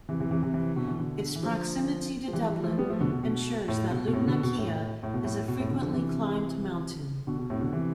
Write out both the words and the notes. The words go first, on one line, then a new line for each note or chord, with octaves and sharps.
Its proximity to Dublin ensures that Lugnaquilla is a frequently climbed mountain.
C3 E3
C3 E3
C3 E3
C3 E3
C3 E3
B2 D3
E3
B2 D3
E3
D3 F3
F3
E3 G3
E3 G3
F3 A3
G3 B3
F3 A3
B2 D3
B2
B2
A2
B2
B2
A2 C3
B2 D3
B2
A2
A2
B2
A2
B2
A2 C3
B2 D3
D3 F3
C3 E3
B2 D3
B2
A2 C3
B2 D3
C3 E3